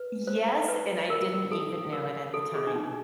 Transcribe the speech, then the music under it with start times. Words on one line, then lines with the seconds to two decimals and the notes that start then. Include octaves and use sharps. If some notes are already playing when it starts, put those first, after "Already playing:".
Yes, and I didn't even know it at the time.
Already playing: B4
0.27 C5
0.68 B4
1.10 A#4
1.51 A4
1.92 A#4
2.34 A4
2.55 G#4
2.67 D4
2.76 D#4